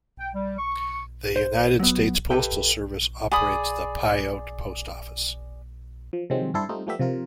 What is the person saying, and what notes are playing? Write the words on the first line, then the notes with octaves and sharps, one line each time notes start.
The United States Postal Service operates the Pyote Post Office.
G5
G3
C#6
C5
F#3 B3
G4 A4 B4 E5 G5
G#4 D5 B5 D#6
F3
C3 D#3 F3 F#3 G#3 C4
G2 C4 D4 E4 A4 C6
G3 A3 C4 D#4 F4
F3 G3 A3 B3 G4 E5
C3 F3 F4 A#4